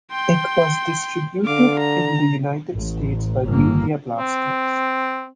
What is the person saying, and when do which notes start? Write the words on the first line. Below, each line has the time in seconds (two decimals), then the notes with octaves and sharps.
It was distributed in the United States by Media Blasters.
0.11 G5 C6
1.46 D3 F5 D6
1.79 A#5
2.74 A1
3.44 G1 A#3
4.18 C4